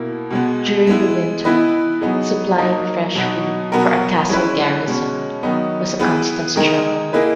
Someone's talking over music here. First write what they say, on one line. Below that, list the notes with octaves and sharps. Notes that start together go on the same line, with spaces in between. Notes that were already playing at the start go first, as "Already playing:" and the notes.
During the winter, supplying fresh food for a castle garrison was a constant struggle.
Already playing: B2 A#3 E4
B2 G#3 B3
G#3 B3 E4
E3 B3 E4 B4 D#5
F#3 B3 D#4 G#4
F#3 A#3 D#4 A#4 D#5
B2 F#3 B3 D#4 F#4
B2 F#3 B3 F#4 A#4
G#3 C#4 E4 B4
B2 G#3 C#4
D#3 F#3 B3 D#4
B3 E4 G#4 B4
D#3 G#3 D#4 A#4
A#3 E4 G#4 B4 D#5